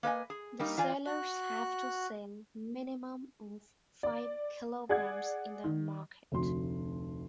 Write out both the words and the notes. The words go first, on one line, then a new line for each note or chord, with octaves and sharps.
The sellers have to sell minimum of five kilograms in the market.
A#3 B4 D#5 G#5
G#4
G3 A#3 D#4
E3 F4 D5 G#5
F#4 F#6
D5
G#4 D5 F#5 G#6
D#3
F1 D2 C6